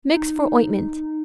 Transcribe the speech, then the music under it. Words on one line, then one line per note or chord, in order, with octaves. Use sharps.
Mix for ointment.
D#4